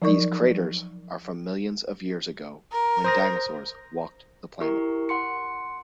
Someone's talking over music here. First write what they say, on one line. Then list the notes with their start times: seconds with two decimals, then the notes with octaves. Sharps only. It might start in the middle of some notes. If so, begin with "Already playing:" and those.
These craters are from millions of years ago when dinosaurs walked the planet.
0.02 F3 F#3 D#4 A#4 D5 C#6
2.72 A#4
3.04 C5 D#6 A#6
4.61 E4 G4 A#4 C#6
5.09 F#5 C6 C#7